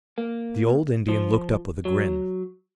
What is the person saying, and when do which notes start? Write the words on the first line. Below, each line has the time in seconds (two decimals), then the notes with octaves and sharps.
The old Indian looked up with a grin.
0.18 A#3
1.08 F3
1.85 F#3